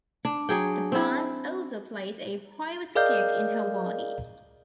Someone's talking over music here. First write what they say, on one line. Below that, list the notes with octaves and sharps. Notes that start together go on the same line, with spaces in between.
The band also played a private gig in Hawaii.
D4
F#3 G#4 G5
C4 E4
G#4 A#4 D5 D#5 F5 G6